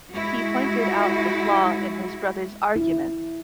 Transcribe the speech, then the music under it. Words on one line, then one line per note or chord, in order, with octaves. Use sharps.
He pointed out the flaw in his brother’s argument.
G#3 E4 F#4
E4